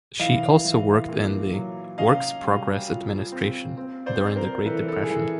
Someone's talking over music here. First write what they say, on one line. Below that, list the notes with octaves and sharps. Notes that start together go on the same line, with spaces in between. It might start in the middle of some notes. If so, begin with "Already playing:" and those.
She also worked in the Works Progress Administration during the Great Depression.
E3 D#5 F5
E3
A#2
F#3
C#4 D#5 F5
G3
F4
C4
C4
C5 D5
C4
A#4 C5
E3 A4 B4
A4
G#4
E3 A4